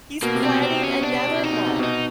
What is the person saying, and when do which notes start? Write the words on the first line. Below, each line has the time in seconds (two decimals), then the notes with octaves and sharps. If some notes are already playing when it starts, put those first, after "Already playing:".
he's planning another one!
0.22 B2 A#3
0.35 C3
0.43 C4
0.49 B2
0.62 C3 C4
0.74 B2
0.82 C3 C#4
1.01 B2 D4
1.14 C3
1.27 B2
1.39 C3 D#4
1.53 B2
1.67 C3
1.79 B2 D#4